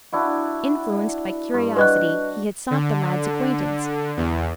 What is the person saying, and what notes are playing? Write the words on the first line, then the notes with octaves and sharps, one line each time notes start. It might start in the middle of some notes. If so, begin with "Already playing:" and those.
Influenced by curiosity he had sought the lad's acquaintance.
D4 E4 F#4
G2
F#4 B4 D#5 F#6
D3
E2